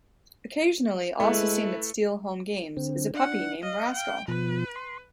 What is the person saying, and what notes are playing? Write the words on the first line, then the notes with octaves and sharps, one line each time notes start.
Occasionally also seen at Steel home games is a puppy named Rascal.
G#3 A3 E4 B4
D3 C4
D4 F#5
D#5 F5
G5
B2 F3 B4
C6